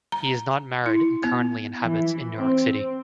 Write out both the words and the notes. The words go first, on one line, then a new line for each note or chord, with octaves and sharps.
He is not married and currently inhabits in New York City.
A#5
E4
B3
E3
C4